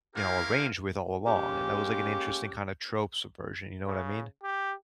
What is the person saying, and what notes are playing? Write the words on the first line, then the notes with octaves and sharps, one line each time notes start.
you know, arranged with all along, and that was, like, an interesting, kinda, trope subversion, you know what I mean?
C#4 E4 G4 A#4 C5 F5
G#3 A#3 C#4 G4
C#3
G4